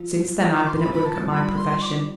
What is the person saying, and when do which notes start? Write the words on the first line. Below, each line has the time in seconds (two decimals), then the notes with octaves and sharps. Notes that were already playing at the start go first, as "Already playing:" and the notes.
Since then I've been at work at my profession.
Already playing: F3
0.55 D6
0.67 C6
0.79 F3 B5
0.94 B5
1.05 A5
1.31 G3 B5
1.56 C6
1.82 D6